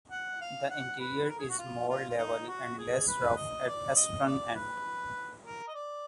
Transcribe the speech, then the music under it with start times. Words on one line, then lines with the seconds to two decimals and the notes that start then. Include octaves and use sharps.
The interior is more level and less rough at the eastern end.
0.11 F#5
0.41 F5
0.70 F#5
0.99 B4
1.23 B4
1.29 A#4
1.39 G#4
1.49 F#4
1.58 F4
1.89 F4
2.09 F4
2.17 D#4
2.48 F#4
2.78 G#4
3.07 B4
3.36 D#5
3.67 D5
3.96 D#5
4.26 D5
4.55 B4
5.44 A#4
5.68 D#5
5.75 D5